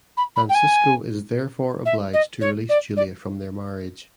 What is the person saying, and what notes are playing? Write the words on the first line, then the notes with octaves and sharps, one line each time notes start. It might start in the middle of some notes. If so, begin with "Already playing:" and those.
Francisco is therefore obliged to release Julia from their marriage.
B5
B5
G5
G#5
E5
D#5
C#5
D5
D5